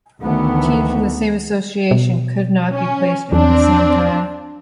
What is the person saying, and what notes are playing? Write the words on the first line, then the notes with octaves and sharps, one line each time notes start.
Teams from the same association could not be placed into the same tie.
D2 D#3 E3 A3 B3
B2
C#4
E2 C4 D4